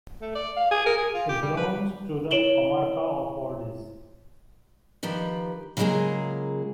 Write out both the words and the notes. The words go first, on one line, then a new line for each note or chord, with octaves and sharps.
It belongs to the comarca of Ordes.
A3
D5
F5
G#4
A#4
G#4
F4
G4
G3
B4
E4 C#5 D7 E7 F#7 G7
D#3 F3 G4 B4
C#3 F#3 G#3 A#3 F4 G#4